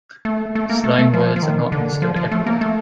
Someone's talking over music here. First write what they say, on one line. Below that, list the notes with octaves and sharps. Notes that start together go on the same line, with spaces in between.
Slang words are not understood everywhere.
A3
A3
A#3
A3
A3
F3
F3
D#3
D3
F3
F3
A3
A#3
A3